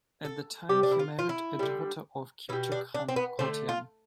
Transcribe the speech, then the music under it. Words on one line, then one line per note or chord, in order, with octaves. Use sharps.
At that time, he married a daughter of Kypchak Khan Kotian.
A4
C3 G3 G4
D4
E4
F4
F4
E4
D3 G3
B2 G3 E4
D4
D4
C4
B3
D3 A3 C4
F4